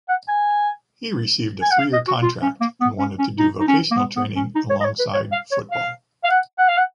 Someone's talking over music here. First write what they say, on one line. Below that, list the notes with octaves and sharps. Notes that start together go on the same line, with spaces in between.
He received a three year contract and wanted to do vocational training alongside football.
F#5
G#5
G#5
F#5
F5
D#5
F#4
F4
C#4
A#3
B3
C#4
C#4
D#4
D#4
C#4
A#3
B3
B3
C#4
D#4
C#5
D#5
C#5
B4
C#5
F5
C#5
F5
F5
F#5
F#5
F5
F#5